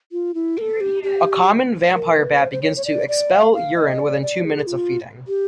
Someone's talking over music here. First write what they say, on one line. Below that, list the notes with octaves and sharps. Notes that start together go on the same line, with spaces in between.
A common vampire bat begins to expel urine within two minutes of feeding.
F4
E4
A#4
A4
G4
G4
A#4
B4
C5
C5
C#5
C#5
D5
D5
F5
F5
D#5
D5
D5
G#4
F4
G4